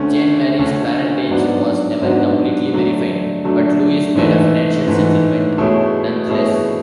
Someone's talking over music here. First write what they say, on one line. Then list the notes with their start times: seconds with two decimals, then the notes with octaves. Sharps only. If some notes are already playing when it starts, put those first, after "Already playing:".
Jeanne Marie's parentage was never completely verified, but Louis made a financial settlement nonetheless.
Already playing: D2 D3 A3 C#4
0.59 D2 D3 A3 C#4
1.30 G#2 F#3 B3 D4 F#4
2.02 G#2 F#3 B3 D4 F#4
2.73 D3 F#3 A3 D4
3.44 D3 F#3 A3 D4
4.15 G#2 E3 A3
4.87 G#2 E3 A3
5.58 B2 A3 E4 G#4 C#5
6.29 B2 A3 E4 G#4 C#5